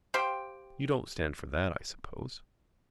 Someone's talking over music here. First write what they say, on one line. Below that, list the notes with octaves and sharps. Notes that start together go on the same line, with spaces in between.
You don't stand for that, I suppose?
G4 C5 F5 G5